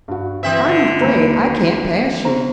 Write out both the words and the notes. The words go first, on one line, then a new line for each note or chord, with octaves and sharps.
"I'm afraid I can't pass you."
G2 F#4
E3 C4 B4 E5
D3
D#2 A#3 F#4 B4 A#5
B3 C5 A#5